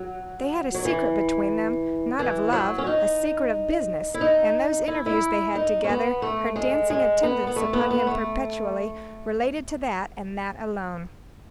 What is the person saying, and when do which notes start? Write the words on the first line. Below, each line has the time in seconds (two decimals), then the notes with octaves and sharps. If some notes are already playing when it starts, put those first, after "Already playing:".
"They had a secret between them--not of love--a secret of business; and those interviews they had together, her dancing attendance upon him perpetually, related to that, and that alone."
Already playing: F#3
0.74 F#3
0.85 E3
2.19 E3
2.53 F#3
2.78 C#4
2.87 D#4
4.14 E4
4.21 D#4
4.88 E4
5.06 E4
5.55 D#4
5.84 C#4
5.89 B3
6.22 A3
6.56 G#3
6.90 G#3
7.23 B3
7.47 B3
7.56 A3
7.73 B3
7.90 B3
8.07 A3